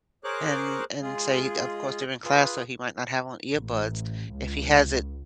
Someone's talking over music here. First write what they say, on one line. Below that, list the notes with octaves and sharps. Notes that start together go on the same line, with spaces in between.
and and say of course, they're in class, so he might not have on earbuds. If he has it
G#4 A#4 C5 C#5 D6 F#6
G#3 F4 G#4
F4 G#4 B4
A1
C#2